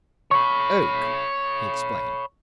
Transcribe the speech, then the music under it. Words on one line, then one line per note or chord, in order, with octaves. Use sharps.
"Oak," he explained.
C#5 B5 C#6